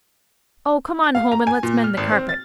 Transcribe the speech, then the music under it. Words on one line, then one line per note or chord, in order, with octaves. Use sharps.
'Oh, come on home and let's mend the carpet.
F5
A#5
G#5
A#2
F6
G#1
C4
A6